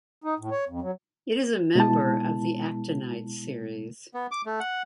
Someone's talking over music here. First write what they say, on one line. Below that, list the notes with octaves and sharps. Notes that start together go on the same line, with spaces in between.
It is a member of the actinide series.
D#4
A2
C#5
F2
F#3
B2 G#3 B3 E4 A5
B3
D6
A3
F#5